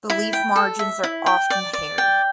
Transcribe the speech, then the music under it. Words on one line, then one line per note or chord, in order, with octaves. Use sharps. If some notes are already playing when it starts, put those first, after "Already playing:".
The leaf margins are often hairy.
E4
G5
A4
E5
E4
G5
D5
D5
G5